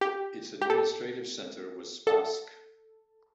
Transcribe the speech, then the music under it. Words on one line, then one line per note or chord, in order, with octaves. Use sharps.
Its administrative centre was Spassk.
G4
G4
A4
A4